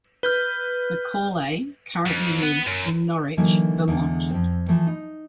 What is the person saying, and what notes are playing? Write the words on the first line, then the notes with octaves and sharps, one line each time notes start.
Macaulay currently lives in Norwich, Vermont.
B4 F6 G6 G7
F2
B3
F#2
D3 E3 F#3 A#3 D#4 A4
E2 D3 G#3
F2 C4
E3 F3 A3
D#4